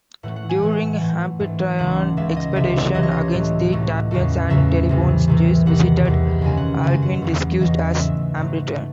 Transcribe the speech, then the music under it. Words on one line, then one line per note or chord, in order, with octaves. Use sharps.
During Amphitryon's expedition against the Taphians and Teleboans, Zeus visited Alcmene disguised as Amphitryon.
A2 E3 A3 F#5
F#5
G#5
A2 E3 A3 F#5
G#2 E3 A3
G#2 E3 A3
C#2 C#3 G#3 F#5
C#2 C#3 G#3 E5
D#5
C#2 C3 E3 E5
C#2 C3 E3 D#5
C#5
D#5
A2 F#3 A3
A2 F#3 A3
E2 C#3 F#3 A3
E2 C#3 F#3 A3 E5
C2 C3 E3
C2 C3 E3
E2 C3 D#3 F#5
E2 C3 D#3
F#2 C#3 G#3 G#5
F#5
F#2 C#3 G#3 G#5
F#5
E2 C#3 E3 A3
E2 C#3 E3 A3 D#5
G#2 F#3 A3 E5
G#2 F#3 A3
A3